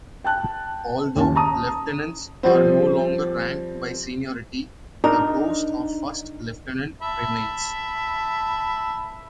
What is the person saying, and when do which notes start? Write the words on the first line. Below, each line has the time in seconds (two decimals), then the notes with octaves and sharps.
Although lieutenants are no longer ranked by seniority, the post of "first lieutenant" remains.
0.24 G5 A5 F#6
1.16 D#2 C#4 A5
1.35 A5 A#5 D#6
2.43 F3 G3 C4
5.04 D4 D#4 A#4
7.02 E5 A5 B5